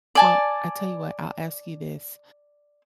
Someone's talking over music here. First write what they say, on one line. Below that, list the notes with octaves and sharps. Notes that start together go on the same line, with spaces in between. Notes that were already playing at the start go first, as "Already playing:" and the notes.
Well, I tell you what. I'll ask you this.
D5 G#5 A5